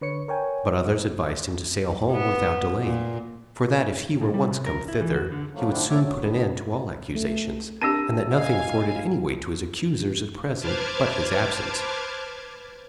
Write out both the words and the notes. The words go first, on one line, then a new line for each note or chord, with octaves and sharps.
But others advised him to sail home without delay; for that if he were once come thither, he would soon put an end to all accusations, and that nothing afforded any weight to his accusers at present but his absence.
D3 B4 C#5 C#7
A#4 C#5 G5 G#5
B3
A#2
A#2
G3
C3
A#4
E4
E3
F#4
D3
F3 F#3 A3 A#3
D3 C4 D4 E4
A3 A#3 C#5 D5 E5
F#3
D3 B3
A3
C4 D4 G4 A#4 A5 E6 A#6 D#7
D#5 F5 G#5
B4 C5 A5 D6 F6 G#6